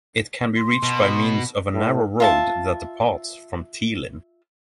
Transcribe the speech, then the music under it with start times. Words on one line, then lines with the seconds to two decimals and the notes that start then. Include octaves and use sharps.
It can be reached by means of a narrow road that departs from Teelin.
0.57 C6
0.83 B2
1.74 A2
2.20 F4 E5 A5